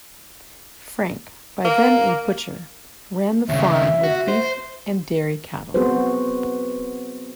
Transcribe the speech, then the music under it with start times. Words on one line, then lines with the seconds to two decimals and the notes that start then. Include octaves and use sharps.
Frank, by then a butcher, ran the farm with beef and dairy cattle.
1.65 A#3
3.49 D#2 C#3 E5
4.03 F#4
4.28 C5
5.74 B3 C4 F#4 G#4 B4 C5